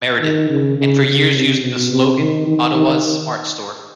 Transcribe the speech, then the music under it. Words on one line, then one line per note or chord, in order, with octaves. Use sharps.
Meredith, and for years used the slogan "Ottawa's Smart Store".
D#3
C#3
C#3
C#3
C3
B2
C3
D#3
D#3
D#3